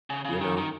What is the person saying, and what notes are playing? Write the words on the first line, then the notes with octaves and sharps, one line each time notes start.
You know?
C#3
C#3
D#3
D#3